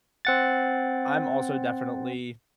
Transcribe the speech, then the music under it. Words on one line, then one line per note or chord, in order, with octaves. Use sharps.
I'm also definitely
C4 F#5 A6